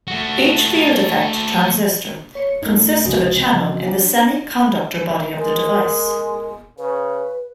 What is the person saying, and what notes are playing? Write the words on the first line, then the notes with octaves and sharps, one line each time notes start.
Each field-effect transistor consists of a channel in the semiconductor body of the device.
A3 F#4
C#5 C#7
F#2 A3 D#4
F1 C#2 E3 F#4 D#5 G#5
C#3 F3 C4
D4
G#3 A#4
C#3 B4